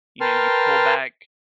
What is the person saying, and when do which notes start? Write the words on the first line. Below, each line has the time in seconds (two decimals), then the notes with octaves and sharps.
you know, you pull back
0.21 A#4 B4 G5 A5 C6 F6